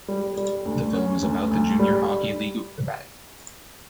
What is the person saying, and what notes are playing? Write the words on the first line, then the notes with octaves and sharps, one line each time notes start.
The film is about the Junior Hockey League of Quebec.
G3
G3
D2
C#4
D2
D2
G3